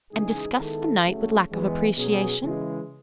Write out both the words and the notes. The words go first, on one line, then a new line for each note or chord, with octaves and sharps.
"And disgust the night with lack of appreciation?"
C#3 E3 G#3 D#4 G#4
D#3 G#3 B3 E4 A4
F#2 C#3 F#3 A3
E3 G#3 B3
B2 F#3 C#4 G#4
C#3 E3 G#3